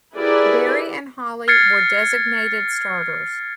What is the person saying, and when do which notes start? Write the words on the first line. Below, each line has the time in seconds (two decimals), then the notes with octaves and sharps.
Berry and Hali were designated starters.
0.16 E4 G4 G#4 A#4 B4 D5
1.48 F6 G#6 A6 C7 C#7